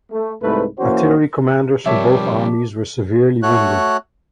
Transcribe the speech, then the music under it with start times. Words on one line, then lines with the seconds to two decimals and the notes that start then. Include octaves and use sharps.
Artillery commanders from both armies were severely wounded.
0.12 A3
0.42 C2 G#2 A3 B4
0.79 E3 A#3 C#4 F#4 C5
1.86 C3 F3 G3 A#4 C#5 E5 A5 D6
3.43 A3 F#4 C#5 F#6